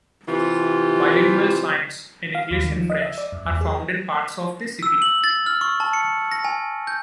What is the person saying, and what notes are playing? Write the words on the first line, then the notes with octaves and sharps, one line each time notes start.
Bilingual signs, in English and French, are found in parts of the city.
C3 E3 C4 F4 G4
F5
D#2
D#3
F3
D#5
E5
D5
F#2
E2
G#4
E6
F#7
A6
F6
C#6
A5
C#7
A#6
G#5
G6